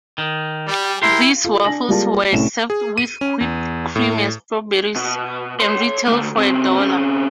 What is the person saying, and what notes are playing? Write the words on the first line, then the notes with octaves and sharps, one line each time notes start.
These waffles were served with whipped cream and strawberries, and retailed for a dollar.
D#3
G3
E4 G4 A#4 C6
F4 A4
D4 G#5 A#6 F#7
G3 G#3 A#3 F4 G4 A5
C2 A2 C#4 E7
G#4
D#7
C#4
E2
A2
B2
C#5 C6
D3 A3
C#3 C4
C3 C#4